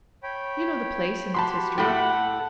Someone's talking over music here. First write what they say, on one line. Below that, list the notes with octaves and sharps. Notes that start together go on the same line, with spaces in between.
You know the place and its history.
C#5 G5 B5
F#4 G4 A5 B5 C6
A2 A3 A4 F#5 G5 B5